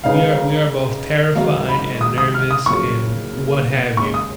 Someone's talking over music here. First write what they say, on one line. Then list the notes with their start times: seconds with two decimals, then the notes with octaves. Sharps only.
We are we are both terrified and nervous and what have you.
0.04 C#3 G#3 D#4 G#4 B4 F5
1.35 G#1 G#2 F#3 F5
1.69 B5
2.01 D#6
2.18 D#6
2.34 F6
2.51 D#6
2.66 F#1 F2 C#3 F#3 C#6
3.97 D#2 C#3 G#3 C#6
4.14 D#6